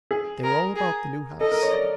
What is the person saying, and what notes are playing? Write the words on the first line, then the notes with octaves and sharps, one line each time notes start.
They were all about the new house.
G#4
A#4
G#4
A4 D#5
A#4
C#5
D5